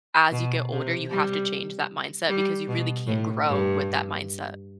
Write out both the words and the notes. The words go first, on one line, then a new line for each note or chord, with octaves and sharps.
as you get older, you have to change that mindset because you really can't grow with that mindset.
B2
C3
G3
G3
B2
A2
G2